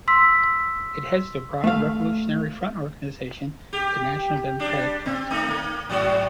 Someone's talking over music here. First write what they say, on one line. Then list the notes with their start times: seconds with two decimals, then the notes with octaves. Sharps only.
It heads the broad revolutionary front organization, the National Democratic Front.
0.08 C6 E6 B6
1.64 A3 F5
3.73 G4
4.59 G3 D4
5.06 C4
5.30 A3 A#3 D#4
5.48 A#3
5.90 G#2 F#3 F#4